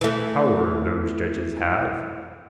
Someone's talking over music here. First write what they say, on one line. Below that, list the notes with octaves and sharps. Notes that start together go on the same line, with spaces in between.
Power those judges have.
E3 A3